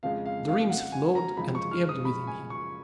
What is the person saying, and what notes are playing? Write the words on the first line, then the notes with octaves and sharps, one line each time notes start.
Dreams flowed and ebbed within him.
F2 C#3 F3 G#3 F5
F5
F5
F#5
G#5
A#5
F#2 C#3 F3 G#3 B5
C#6
F6
D#6
B5
G#5
C#6